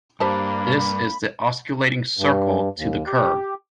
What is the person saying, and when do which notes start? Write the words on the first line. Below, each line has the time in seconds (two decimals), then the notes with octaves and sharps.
This is the osculating circle to the curve.
0.20 G2 A#3 D4 G4 C5 A5 B5
2.17 G2
2.78 D#2
3.07 G4